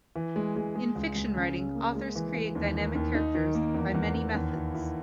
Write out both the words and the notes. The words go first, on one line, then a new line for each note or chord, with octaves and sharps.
In fiction writing, authors create dynamic characters by many methods.
E3
G#3
G#3
G#3
C#2
C#2
C#3
C#3
A#3
G#3
E3
E3
D#2
D#3
D#2
D#4
D#3
A#3
E2
E2
E2
D#2
E4
E4